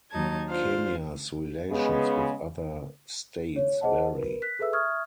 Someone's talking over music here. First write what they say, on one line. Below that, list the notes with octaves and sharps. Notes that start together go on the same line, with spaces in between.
Kenya's relations with other states vary.
D#2 F#3 D#4 A5 G#6
D4 F4 C5 F5
C#3 G#3 B3
C#5
G#4 C5 D#5 F#5 A5
A#4 B4
F#6 B6
G#4 A4 B4 E5 E6
E5 C#6 D#6 F6 G#6